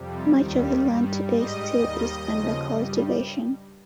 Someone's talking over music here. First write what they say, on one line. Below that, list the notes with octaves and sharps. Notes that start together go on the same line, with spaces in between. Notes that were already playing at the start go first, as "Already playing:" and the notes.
Much of the land today still is under cultivation.
Already playing: F2 C3 G3
D#2 D#3 G3
G2 G3
G#2 G3 D#5
D#2 D#3 G3
D#2 C#3 F3
G2 G3